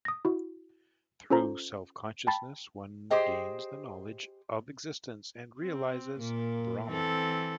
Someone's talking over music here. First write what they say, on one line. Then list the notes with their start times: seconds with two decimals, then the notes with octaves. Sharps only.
Through Self-consciousness one gains the knowledge of existence and realizes Brahman.
0.05 D#6 A#6
0.25 E4 F#4
1.30 C#4 F4 A4 C5 A#5
2.27 G5 A5 B5 A6
3.10 G4 G#4 C5 D#5 G5
5.61 C4
6.18 A#2 A#3
6.88 E3 C4 A4